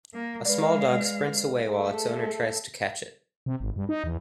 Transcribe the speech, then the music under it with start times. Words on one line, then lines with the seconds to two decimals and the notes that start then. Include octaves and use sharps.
A small dog sprints away while its owner tries to catch it.
0.14 A#3
0.45 G#3 B4 D5 F5
1.67 A3 G#4 A4
3.46 C3
3.60 G#1
3.76 G2
3.89 D#4
4.04 E2